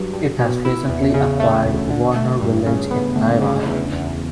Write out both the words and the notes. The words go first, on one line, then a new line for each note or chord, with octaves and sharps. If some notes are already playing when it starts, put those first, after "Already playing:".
It has recently acquired Warner Village in Taiwan.
Already playing: G2 F#3
G2
B2
E4
E2
C#3
A3
D2
D3
A3
G2
C#3
B3
D2
C#3
E2
E2